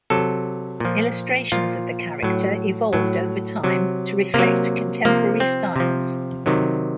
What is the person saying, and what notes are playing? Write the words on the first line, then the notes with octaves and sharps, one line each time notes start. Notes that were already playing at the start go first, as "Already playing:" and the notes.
Illustrations of the character evolved over time to reflect contemporary styles.
C3 F#3 A4
A#2 F3
A#2 F3 F4
A2 F#3
A2 F#3
C3 F#3
C3 F#3 A#3
C3 F3 A#3
C4
C3 F3
C3 D#3 F#3